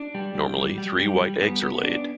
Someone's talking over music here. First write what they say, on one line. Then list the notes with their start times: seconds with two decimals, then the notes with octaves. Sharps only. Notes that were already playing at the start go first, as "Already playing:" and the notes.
Normally, three white eggs are laid.
Already playing: D4
0.15 G3
0.35 G3
0.57 G3
0.78 G3
1.00 G3
1.21 G3
1.41 B3
1.63 B3
1.83 D4